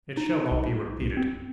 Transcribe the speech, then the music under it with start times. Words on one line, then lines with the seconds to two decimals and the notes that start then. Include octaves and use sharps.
'It shall not be repeated.
0.17 D#4
0.51 C2
1.17 C4